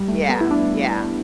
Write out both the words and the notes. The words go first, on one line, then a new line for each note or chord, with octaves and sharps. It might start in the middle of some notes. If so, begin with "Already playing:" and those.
Yeah, yeah.
Already playing: G3
A3
B3
E4
D4